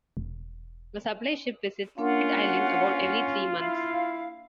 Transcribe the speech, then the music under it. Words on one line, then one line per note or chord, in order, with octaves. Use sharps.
A supply ship visits Pitt Island about every three months.
E1
A#3 C#4 D4 F4 A#4 F#5
E4 F5